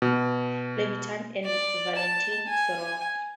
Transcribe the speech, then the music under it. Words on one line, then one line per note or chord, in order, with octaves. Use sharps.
Levitan, and Valentin Serov.
B2
D5
A5
G#5